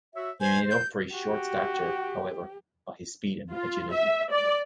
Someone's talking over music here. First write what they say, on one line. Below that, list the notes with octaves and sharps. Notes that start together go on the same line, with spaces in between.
He made up for his short stature, however, by his speed and agility.
F#4 C#5 E5
C5 G#5
G6
F#4 G4
F4
E5
D5